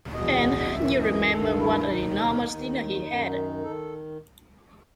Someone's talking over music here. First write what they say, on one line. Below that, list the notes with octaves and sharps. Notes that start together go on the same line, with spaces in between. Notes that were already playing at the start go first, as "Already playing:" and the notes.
And you remember what an enormous dinner he had.
E2 B2 D#5
F#2 E3 E5
D#5
G2 D#3 A4
E4
D#2 D#3 D#4
D#2 D#3
F#2 D#3
D#3 A4